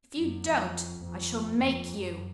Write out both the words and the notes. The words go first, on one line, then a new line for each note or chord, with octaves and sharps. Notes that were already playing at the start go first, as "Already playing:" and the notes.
"If you don't, I shall make you."
F#2
F2
F2
F2
F#2